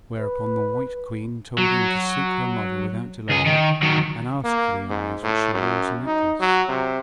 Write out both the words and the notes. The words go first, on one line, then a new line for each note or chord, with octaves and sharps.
Whereupon the white Queen told him to seek her mother without delay, and ask for the eyes which she wore as a necklace.
B4
F#3
C#2 G#4
D#3
D#3 F#3
A#3
G#2
A2
F#2
D#4
F#3
C3